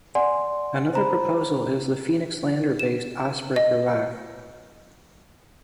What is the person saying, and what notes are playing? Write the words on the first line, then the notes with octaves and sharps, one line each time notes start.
Another proposal is the Phoenix lander-based Icebreaker Life.
D5 F#5 G#5 C6
C5 A#5 B5
E7
D#5